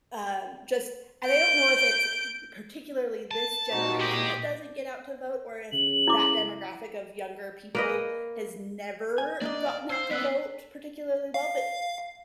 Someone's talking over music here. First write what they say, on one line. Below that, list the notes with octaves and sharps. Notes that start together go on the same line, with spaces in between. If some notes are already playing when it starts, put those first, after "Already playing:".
u um, just and I don't know if it's b particularly this generation that doesn't get out to vote or if, that demographic of younger people has never gotten out to vote particularly well, but
G6 D7
A5
A#2 C4 D#4 F#4
G#3 G4 D#5
C#3 F#7
E4 D6
A#3 B4 D#5
G#5
A#3 D4 D5 D#5
F5
C5 E6 C7
B3 C4 B4 E6 F#6 B6
F5